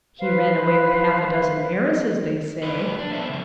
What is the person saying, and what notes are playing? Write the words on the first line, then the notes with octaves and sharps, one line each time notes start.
He ran away with half-a-dozen heiresses, they say.
B4 C5 F5
A3 D4 B4
F3 G3 B4
D4
A3 B3 C5 C#5 E5
C#3 F3